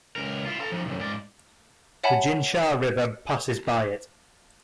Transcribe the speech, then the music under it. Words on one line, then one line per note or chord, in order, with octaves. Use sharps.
The Jinsha River passes by it.
C#2 A#4
E4 F4
A4 A#5
F3 D#4
C2 F#2
G#2 D5
C#5 E5 F#5 G#5 A5 B5